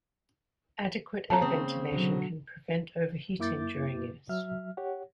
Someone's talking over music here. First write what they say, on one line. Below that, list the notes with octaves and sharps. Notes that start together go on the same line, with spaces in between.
Adequate air ventilation can prevent overheating during use.
F2 C4 A4 F5 A5 A#5
C#3 A#3 C4 C#4
B2 D3 F#3
F#2 A#3 E4 D6 G6 A6
F#3 E5 F6
G4 C#5 F#5